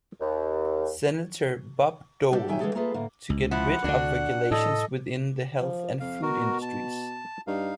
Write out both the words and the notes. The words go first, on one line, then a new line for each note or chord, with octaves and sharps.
Senator Bob Dole to get rid of regulations within the health and food industries.
D#2
G3 D4 D#4 F#4 G4 A4
C3 D#3 F#3 E5 G5 G#5
D3 E3 F#3 G#3 G#4 A4
A3 A#3 F4 G#4 A4 B4
A2 D3 A#3
C#2
F3 E4 F#5
D2 D3 D4 F#4
A2 A4 D#5
F3
F2 F5
B2 F#4 A#4
A5
G2 D#4 F5